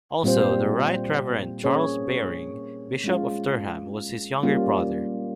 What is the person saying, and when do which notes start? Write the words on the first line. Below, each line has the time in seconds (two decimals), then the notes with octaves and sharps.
Also, the Right Reverend Charles Baring, Bishop of Durham, was his younger brother.
0.23 A#2 G3 C4 F4 C5
1.64 A#3 C#4 G#4 C#5
3.04 G#3 C#4 F4
4.43 G3 A#3 C#4 F4